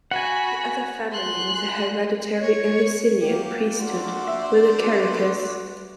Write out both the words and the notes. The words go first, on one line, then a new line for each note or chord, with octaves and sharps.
The other family with a hereditary Eleusinian priesthood were the Kerykes.
F#4 F#5 G#5 B5
C6 F#6
C#5
F#3 A#3 G4
D3 F#4 C5 D5
E5
F#4 B4